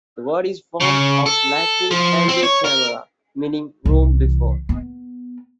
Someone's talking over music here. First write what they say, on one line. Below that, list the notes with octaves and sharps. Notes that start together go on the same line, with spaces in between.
The word is formed of the Latin "ante camera", meaning "room before".
C#3
A4
F3
C4
C#5
A#4
C2 E3
B3